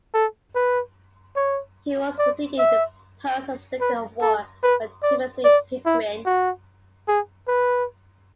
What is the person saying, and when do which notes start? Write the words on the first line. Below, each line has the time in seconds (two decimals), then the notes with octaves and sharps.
He was succeeded in the post of Secretary of War by Timothy Pickering.
0.14 A4
0.55 B4
1.36 C#5
2.18 D5
2.59 E5
3.80 B4
4.21 A4
4.63 B4
5.03 D5
5.45 D5
5.86 E4
6.26 F#4
7.08 G#4
7.48 B4